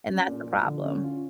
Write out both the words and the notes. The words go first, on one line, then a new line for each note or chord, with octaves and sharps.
and that's the problem.
C#4
A#2
F3
D3
C#4
F4